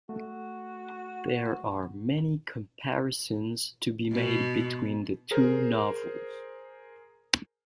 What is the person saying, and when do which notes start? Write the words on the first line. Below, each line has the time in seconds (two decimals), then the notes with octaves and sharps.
There are many comparisons to be made between the two novels.
0.09 A3 F#4
4.13 B2
5.31 G#4 A#4 C5